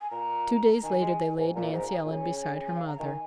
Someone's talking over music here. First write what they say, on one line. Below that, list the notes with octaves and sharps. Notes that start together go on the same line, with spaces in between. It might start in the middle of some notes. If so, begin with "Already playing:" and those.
Two days later they laid Nancy Ellen beside her mother.
G#5
A#2 A#5
A#5
D#3 G#5
G#3
G#2
A#2 A#5
G#2
G#5
A#2
C#3
G#5
F5
A#5
D#3 G#5